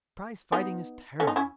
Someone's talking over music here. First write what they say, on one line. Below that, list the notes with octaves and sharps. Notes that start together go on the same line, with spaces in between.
Prize-fighting is terrible.
B3 D#4
A3 C#4
B3 D#4
C#4 E4